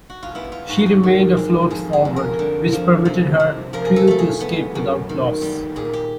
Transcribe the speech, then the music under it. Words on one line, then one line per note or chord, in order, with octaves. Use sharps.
She remained afloat forward, which permitted her crew to escape without loss.
F#4
F4
B3 E4
F4
G#2 F#4
G4
D#3
G#3
F2 G#4
G#4
F2
A#4
D3
F3
C3
C3
F3 A#4
G#4
A4
A3 A4
G#4
B3
F#2
D#3
G3
A#2 G#4
G4